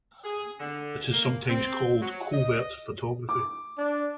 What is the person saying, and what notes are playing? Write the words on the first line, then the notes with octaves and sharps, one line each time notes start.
It is sometimes called covert photography.
G#4
D3
A#3
C4
F#3
D#5
D6
D4